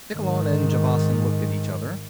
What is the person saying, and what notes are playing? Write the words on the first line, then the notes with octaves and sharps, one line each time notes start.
Nikkolon and Javasan looked at each other.
G#2 D#3